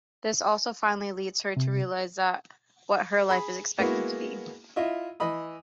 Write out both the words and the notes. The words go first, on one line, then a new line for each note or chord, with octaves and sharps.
This also finally leads her to realise what her life is expected to be.
C3
G#4 B5
G#3 A#3 B3 E4 F#4
E4 F4 D#5 E5
E3 D#5 B5 D#6